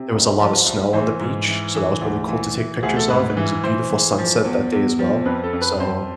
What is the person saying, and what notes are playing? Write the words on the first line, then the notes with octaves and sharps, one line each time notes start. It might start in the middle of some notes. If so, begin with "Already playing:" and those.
there was a lot of snow on the beach, so that was really cool to take pictures of, and it was a beautiful sunset that day as well. So,
Already playing: C3
C2
F3 A5
C2
E3 C5
G#2
E3
E3
D2
E3
E3
D2 G#4
A4
G#2 B4
E3
E3 C5
E3
F3
E2
E2
F3
F2 B4
A4
F2
B4
F2 C5